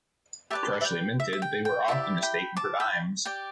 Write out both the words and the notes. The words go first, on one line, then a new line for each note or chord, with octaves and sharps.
Freshly minted, they were often mistaken for dimes.
G4 B4 D5 E5 A5
E5
G5
E5
E5
G5
G5
E4 G4 D5 E5 A5
G5 B5
A5 D6
G5 B5
G4 D5 G5